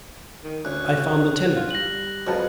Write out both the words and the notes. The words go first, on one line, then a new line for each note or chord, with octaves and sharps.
I found the tenant.
D#3
D2 C#4 F#6
F4
G3 A#6 F#7
F2 F#3 G#3 A4 B4